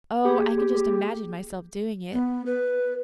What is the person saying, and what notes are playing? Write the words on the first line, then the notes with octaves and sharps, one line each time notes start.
Oh, I can just imagine myself doing it.
A#3 G4 G#4
B3
B4